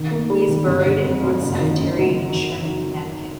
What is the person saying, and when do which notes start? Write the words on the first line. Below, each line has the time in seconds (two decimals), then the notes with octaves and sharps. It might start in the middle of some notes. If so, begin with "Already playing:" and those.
He is buried in North Cemetery in Sherman, Connecticut.
Already playing: D#3
0.11 A#3
0.30 G3
0.48 D#3
0.67 G1
0.86 D3
1.05 F2
1.24 F#3
1.42 F#1
1.61 D#3
1.80 F#2
1.99 F#3